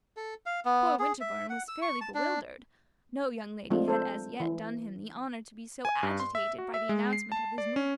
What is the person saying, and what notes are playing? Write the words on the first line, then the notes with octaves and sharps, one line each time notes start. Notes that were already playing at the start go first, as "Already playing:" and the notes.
Poor Winterbourne was fairly bewildered; no young lady had as yet done him the honor to be so agitated by the announcement of his movements.
A4
F5
B3
G#4
E5
F#5
E6
C#6
A5
D4
F3 G#3 A3 C4 D4 F4
A4 C5
E3
G#5
G2
C6
E5
F#4
E5
G#3
C7
A5
D5
C#4